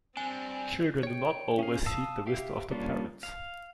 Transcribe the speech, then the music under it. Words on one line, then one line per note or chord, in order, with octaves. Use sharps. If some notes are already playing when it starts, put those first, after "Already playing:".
Children do not always heed the wisdom of their parents.
G3 C4 D4 G#5
C#5 G5
C#4 G#4 F5
F5 A5 D#6 E6
G4 E5 F5
G3 A#3 C#4 D4 F4
F5